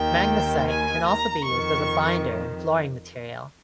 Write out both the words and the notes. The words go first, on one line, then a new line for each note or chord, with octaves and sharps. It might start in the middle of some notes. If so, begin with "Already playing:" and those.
Magnesite can also be used as a binder in flooring material.
Already playing: D#2 D#3 G5
G#5
A#5
F2 D#3 C#6